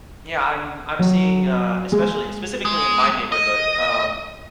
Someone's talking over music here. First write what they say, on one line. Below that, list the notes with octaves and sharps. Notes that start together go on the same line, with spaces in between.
Yeah, I'm I'm seeing, uh, especially eh, specifically in my neighborhood, um,
F#3
G#3
G#3
D#5